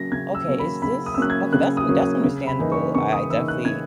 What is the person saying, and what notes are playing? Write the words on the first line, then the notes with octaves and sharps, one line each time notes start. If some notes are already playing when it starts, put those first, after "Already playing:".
Okay, is this Okay, that's un that's understandable, I definitely
Already playing: C#3 F#3 A#3 C#4 A#6
C#3 G#6
E6
F#3 A#3 C#4
B5
C#3 B5
D#6
E6
F#3 A#3 C#4 F#6
G#6
C#3 F#6
D#6
F#3 A#3 C#4
D#6
C#3
B5
E3 A#3 D#4
C#6
C#3 C#6
D#6
E3 A#3 D#4 E6
F#6
C#3 G#6